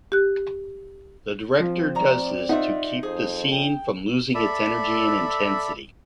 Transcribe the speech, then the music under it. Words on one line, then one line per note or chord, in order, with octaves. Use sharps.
The director does this to keep the scene from losing its energy and intensity.
G4 F#6
F3 C4
A2 D5 A#5
D#4 F4 E5 F#5
F2 G#4 C5
G5
A4 D5 E5 B5